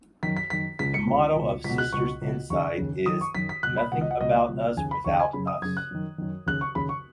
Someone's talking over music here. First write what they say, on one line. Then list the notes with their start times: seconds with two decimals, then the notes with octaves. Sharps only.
The motto of Sisters Inside is "nothing about us without us".
0.23 F#2 D#3 B6
0.37 B6
0.50 F#2 D#3 B6
0.79 C#2 C#3 B6
0.94 C#7
1.07 C#2 C#3
1.36 C#2 B2
1.64 C#2 B6
1.69 B2
1.78 F#6
1.93 C#2 B2 C#6
2.22 C#2 B2
2.50 D#2 C#3 C#6
2.78 D#2 C#3
3.06 F#2 D#3 D#6
3.21 C#6
3.35 F#2 B6
3.37 D#3
3.49 B6
3.63 C#2 B2 F#6
3.77 B5
3.92 C#2 B2 F#5
4.01 D#5
4.11 F#5
4.21 C#2 B2 D#5
4.49 C#2 B2
4.77 D#2 C#3 G#5
4.91 B5
5.05 D#2 C#3 C#6
5.20 G#5
5.33 F#2 C#3 B5
5.47 D#6
5.62 F#2 G#6
5.65 C#3
5.77 F#6
5.91 F#2 D#3
6.18 F#2 D#3
6.46 D#2 C#3 F#6
6.61 C#6
6.75 D#2 C#3 B5
6.89 C#6